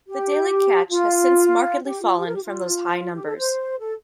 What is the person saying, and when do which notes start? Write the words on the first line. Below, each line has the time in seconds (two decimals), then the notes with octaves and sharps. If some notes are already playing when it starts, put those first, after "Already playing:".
The daily catch has since markedly fallen from those high numbers.
0.09 G4
0.89 F4
1.86 G4
2.02 F4
2.18 G4
2.26 A#4
2.34 G4
2.42 F4
3.15 G4
3.26 A4
3.37 C5
3.79 A4